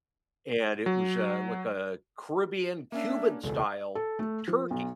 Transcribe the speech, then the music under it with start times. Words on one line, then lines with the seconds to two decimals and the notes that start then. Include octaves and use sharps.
and it was, uh, like a Caribbean-Cuban style turkey
0.86 F#3
2.92 A#3 C#4 D4 E5
3.43 E1 C#2 A4
3.95 A4
4.19 A3
4.48 F3
4.71 B1